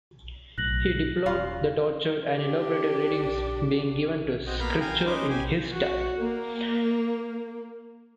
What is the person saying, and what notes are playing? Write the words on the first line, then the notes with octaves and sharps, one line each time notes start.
He deplored the tortured and elaborated readings being given to Scripture in his time.
B1 A2 F#6 A#6 F#7
E1 C#4 F4 F5
D4 G4
C4 F#4 D#5 G5
A#3 B3 F5 A#5 B5
F5 G5 G#5 A#5
C#4 D#4 B4 C5 D6
G4 G#5
F#4
A#3